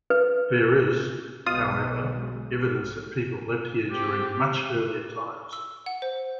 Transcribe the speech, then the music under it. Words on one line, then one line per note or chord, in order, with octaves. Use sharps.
There is, however, evidence that people lived here during much earlier times.
B4
B1 B2 G#3 F4 D#6
C4 G4
E6
F#5
C5